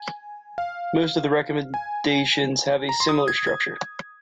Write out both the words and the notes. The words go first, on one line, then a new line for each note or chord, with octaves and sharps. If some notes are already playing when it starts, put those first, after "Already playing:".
Most of the recommendations have a similar structure.
Already playing: G#5
F5
G#5
A#5
C6
D#6
G#6
G#6